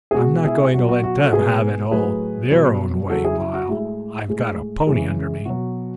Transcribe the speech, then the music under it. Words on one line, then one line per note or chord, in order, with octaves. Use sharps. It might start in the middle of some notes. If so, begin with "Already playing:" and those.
I'm not going to let them have it all their own way while I've got a pony under me.
G#4
B2 G#3 F#4
E4 G#4
B2 F#3 F#4
F#4
F#4
F#4 A4
B2 G#3 G#4 B4
A2 F#3 G#4 B4
B2 F#3
C#3 F#3 F#4 A4
E4 G#4
E4
F#4
A2 G#3 E4
A2 G#3
C#3 E3 G#3
B2 F#3 F#4